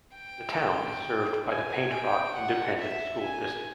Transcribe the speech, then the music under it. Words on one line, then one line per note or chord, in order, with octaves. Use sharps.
The town is served by the Paint Rock Independent School District.
G5
G#5
G5
F#5
E5
G#5